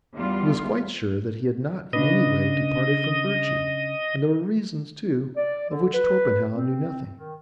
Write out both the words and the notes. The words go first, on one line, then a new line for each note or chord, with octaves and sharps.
He was quite sure that he had not in any way departed from virtue, and there were reasons, too, of which Torpenhow knew nothing.
E2 G3 F4
C#3 D4 B4 D#5
D5
D3
B4
C4
D#3